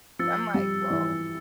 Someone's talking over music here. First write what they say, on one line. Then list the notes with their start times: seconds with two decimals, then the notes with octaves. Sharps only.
and I'm like, "Well,
0.19 F3 E6 A6 C#7
0.54 G3
0.90 E3